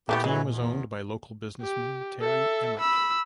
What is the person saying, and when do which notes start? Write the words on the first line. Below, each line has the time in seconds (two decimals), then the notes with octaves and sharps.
The team was owned by local businessman Terry Emmert.
0.09 A#2 E3 F3 A3 B3 G4
0.24 E3 F#3 G#3
0.49 E2
1.62 G4
2.22 A4 E5
2.79 B5 E6